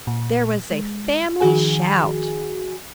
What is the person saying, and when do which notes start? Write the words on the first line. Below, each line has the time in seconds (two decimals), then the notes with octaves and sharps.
There was a family shout.
0.07 A#2
0.71 G#3
1.40 D#3 F3 F#4 G#4 G#5